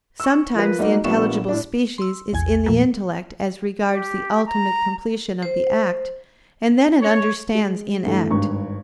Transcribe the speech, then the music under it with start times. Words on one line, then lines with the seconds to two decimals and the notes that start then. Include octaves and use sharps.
Sometimes the intelligible species is in the intellect as regards the ultimate completion of the act, and then it understands in act.
0.20 C#6 E6
0.55 F3 A#4 B4
0.79 G3 A#3 D#4 F#4 G4 D#5
1.04 A#1 A#2 G3 B3 C#6 E7
1.48 A2 D4
1.98 C6 E6
2.33 A#1 E2 G#5 G#6
2.66 A#2 F3 A3 A#3
3.89 G4
4.46 A#5
5.42 C5
7.01 C#5
7.55 G#3
8.06 G2 E3 A3
8.30 G#1 G2 C#6